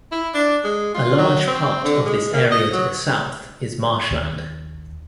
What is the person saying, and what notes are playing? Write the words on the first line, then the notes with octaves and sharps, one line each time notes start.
A large part of this area to the south is marshland.
E4
D4
G#3
F4
F#3
C4
D3
G#3
A#3
D#5
F#3
D#2